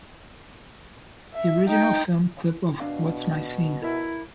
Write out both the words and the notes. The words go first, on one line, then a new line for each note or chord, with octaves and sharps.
The original film clip of What's My Scene?
E5
D#4 G5
B2 D4 F5
E4 A#4 E5